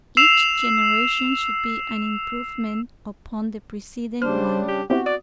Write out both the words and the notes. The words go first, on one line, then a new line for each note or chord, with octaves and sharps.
Each generation should be an improvement upon the preceding one.
E6 C7 E7 F7
C#3 G3 D4 C5 F6
G4
B3 C4 E4 F#4 G4
D5 D#6